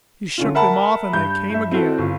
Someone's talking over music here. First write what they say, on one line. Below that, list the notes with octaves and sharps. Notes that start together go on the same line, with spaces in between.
He shook them off--and they came again.
D3 C#4 F4
A#4 E5 F#5 A5 B5
G2 G6
G2 E5
C4 E4 F#4 A4
G1 F4